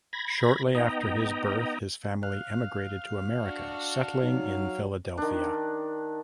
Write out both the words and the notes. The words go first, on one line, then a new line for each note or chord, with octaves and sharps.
Shortly after his birth his family emigrated to America, settling in Philadelphia.
B5 G#6 A#6
B3 D#4 D#5 G5 A#5
F5 F#6
D4 F#4
F#3 D#4
D#3 D4